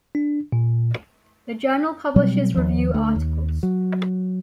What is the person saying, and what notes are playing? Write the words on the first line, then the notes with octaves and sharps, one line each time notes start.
The journal publishes review articles.
D4
A#2
B2 F#3 G3 C4
D#2 F3
D2 A3
D#2
F#3